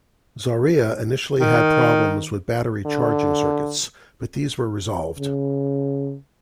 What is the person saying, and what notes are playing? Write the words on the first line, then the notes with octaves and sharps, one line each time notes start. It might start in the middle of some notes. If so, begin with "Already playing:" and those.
Zarya initially had problems with battery charging circuits, but these were resolved.
D#3
D3
C#3